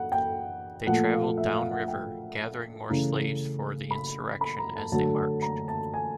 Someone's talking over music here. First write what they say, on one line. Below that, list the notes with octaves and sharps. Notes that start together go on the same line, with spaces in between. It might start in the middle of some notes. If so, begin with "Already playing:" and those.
They traveled downriver, gathering more slaves for the insurrection as they marched.
Already playing: F#5
G5
A#2 F3 A3 F#5
F5
E5
F5
F#5
G5
C#3 E3 A3 A#5
B5
B5
A#5
A5
D3 F#3 A3 A5
A#5
A5
G#5